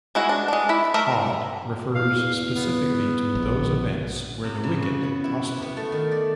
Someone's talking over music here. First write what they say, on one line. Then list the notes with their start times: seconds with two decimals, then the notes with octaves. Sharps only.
Hod refers specifically to those events where the wicked prosper.
0.15 G#3 E4 F#4
0.29 D4
0.48 G#3 D4
0.69 E4 B5
0.94 A3 A#4 E5
1.95 E2 F5
2.55 B3
3.35 A#1
4.44 C3
4.64 C#3
4.82 F#4
5.03 B3
5.24 E4
5.46 B4
5.62 B3
5.77 A3
5.92 D#3
6.12 D5